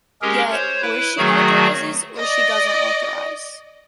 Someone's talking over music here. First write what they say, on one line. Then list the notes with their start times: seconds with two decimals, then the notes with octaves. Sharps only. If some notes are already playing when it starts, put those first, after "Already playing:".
Yet or she authorizes, or she doesn’t authorize.
0.22 G#3 C#4 G4 G#4 A#4
0.52 C5 C#5
0.82 E4 B4
1.18 D#3 F#3 A3 F#4 G#4
2.18 D5 D#5